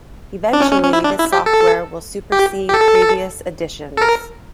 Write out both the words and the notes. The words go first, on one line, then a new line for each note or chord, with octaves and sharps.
Eventually this software will supersede previous editions.
D4
C#4
C#4
C#4
E4
D4
E4
G4
A4
G4
G4
A4
A4
A#4